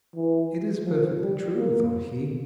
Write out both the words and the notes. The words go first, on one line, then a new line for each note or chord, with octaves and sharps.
"It is perfectly true," thought he.
E3
F3
G3
A#3